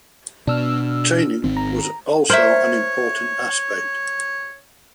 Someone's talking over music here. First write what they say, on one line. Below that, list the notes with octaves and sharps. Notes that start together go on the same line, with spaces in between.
Training was also an important aspect.
B2 B3 D4 E6 F6
G#1 D#3 C4
A#5
A#4 C5 C#5 E5